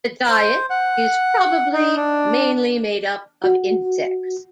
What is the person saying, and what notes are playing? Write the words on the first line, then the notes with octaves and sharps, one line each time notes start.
The diet is probably mainly made up of insects.
C5
F#5
D#4
D4
F#4